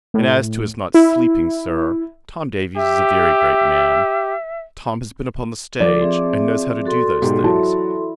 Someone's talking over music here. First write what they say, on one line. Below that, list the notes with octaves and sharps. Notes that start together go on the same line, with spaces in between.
And as to his not sleeping, Sir; Tom Davies is a very great man; Tom has been upon the stage, and knows how to do those things.
A2
E4
G4 E5
F3 A4 D5
C4 G#4 E5
F#4 A4 C6
B1 G#2 G4
F#3 E4 A5